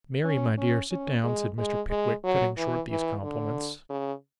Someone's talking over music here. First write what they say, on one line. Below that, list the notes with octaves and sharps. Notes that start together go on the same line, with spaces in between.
'Mary, my dear, sit down,' said Mr. Pickwick, cutting short these compliments.
C#4
C#4
C#4
G#3
G#3
G#3
F#3
E3
E3
D3
C#3